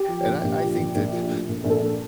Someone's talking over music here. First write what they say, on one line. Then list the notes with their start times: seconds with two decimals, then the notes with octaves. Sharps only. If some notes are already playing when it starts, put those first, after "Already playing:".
and I I think that
Already playing: G4
0.08 F3
0.25 A#1
0.43 A#1
0.60 F3
0.77 A#1
0.95 A#1
1.12 F3
1.30 A2
1.48 A#1
1.64 A#1
1.70 A4
1.81 A#1